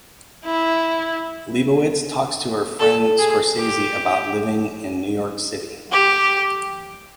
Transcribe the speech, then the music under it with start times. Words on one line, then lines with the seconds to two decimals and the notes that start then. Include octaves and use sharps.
Lebowitz talks to her friend Scorsese about living in New York City.
0.45 E4
2.79 A4
3.19 G#4
3.58 G4
5.92 G4